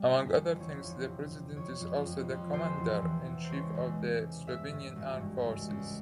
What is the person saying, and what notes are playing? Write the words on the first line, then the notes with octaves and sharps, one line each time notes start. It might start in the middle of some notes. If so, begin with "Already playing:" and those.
Among other things the President is also the Commander-in-Chief of the Slovenian Armed Forces.
Already playing: G3
G1
F2
E2 C#5
F3
C3
C3
F2 C#5
F2
F2
F2
F1 C5
E2
E3
E2
C5
C#2 C#5
C#2
C#2
C3
G2 E5
G2
G#1
G2
C#2
C#2